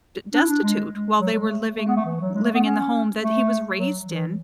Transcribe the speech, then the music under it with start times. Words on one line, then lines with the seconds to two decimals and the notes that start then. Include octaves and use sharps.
d destitute, while they were living living in the home that he was raised in,
0.34 D4
0.43 E4
0.49 D4
0.63 G#3
0.92 G#3
1.20 F#3
1.34 G#3
1.48 A3
1.63 A3
1.77 A3
1.87 B3
1.96 A3
2.05 E3
2.20 F#3
2.34 G#3
2.44 A3
2.54 B3
2.63 C#4
3.20 A3
3.78 F#3
4.07 E3